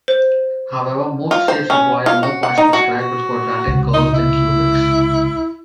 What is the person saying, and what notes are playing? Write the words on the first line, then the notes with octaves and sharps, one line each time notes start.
However, most shapes require more points to describe with quadratic curves than cubics.
C5
F4
C5
C#4
F4
F#4
F#5
D#4
F#4
F#4
C#2 G#2 C3
D#4
E4